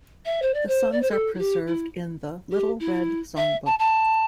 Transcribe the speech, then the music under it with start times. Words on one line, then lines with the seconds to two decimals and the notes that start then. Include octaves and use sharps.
The songs are preserved in the Little Red Songbook.
0.25 E5
0.42 C5
0.54 D5
0.68 C5
0.91 D5
1.01 C5
1.10 A4
1.34 E4
1.38 G4
1.67 E4
2.51 G4
2.79 E4
3.36 E5
3.65 A5
3.79 A5